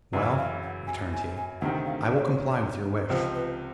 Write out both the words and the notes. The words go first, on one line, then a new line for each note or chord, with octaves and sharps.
"Well," returned he, "I will comply with your wish."
F#2 C#3 E3 F#5
F5
F#5
G#5
G#5
G#5
D2 C3 D#3 F#5
F5
D5
C#5
C5
C#5
C#2 C3 F3 C5
B4